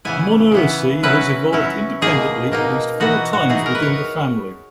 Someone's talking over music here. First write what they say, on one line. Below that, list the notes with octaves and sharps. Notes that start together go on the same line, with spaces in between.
Monoecy has evolved independently at least four times within the family.
C#3 E3 B3 E4 G#5
C#3 E3 B3 E4
F#3 C#4 E4 B4
F#3 C#4 E4
B2 A#3 D#4 G#4
B2 A#3 D#4
E3 B3 D#4 F#4
F#4
E3 B3 D#4 G#4
A#4
B4
C#5